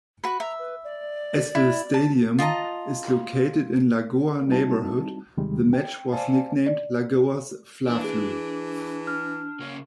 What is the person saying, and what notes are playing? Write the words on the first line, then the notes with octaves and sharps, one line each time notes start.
As the stadium is located in Lagoa neighborhood, the match was nicknamed "Lagoa's Fla-Flu".
F#4 B4
E5 A#5
B4
D5
E4
A5
F4 D#5 A5 A#5
G3 C4 D#4 E4 F#4 A5
D#2 C3 D#3 G3 G#3
G5
C5 D5 F5 G#5 A5
D5
E3 D4
G#4
F6
C#3 A#3 C#4